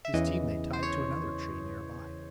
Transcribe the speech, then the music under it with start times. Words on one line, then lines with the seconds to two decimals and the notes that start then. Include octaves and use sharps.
His team they tied to another tree near by.
0.05 E5
0.14 E2 C#3 E3 D#5
0.73 C5
0.83 C#5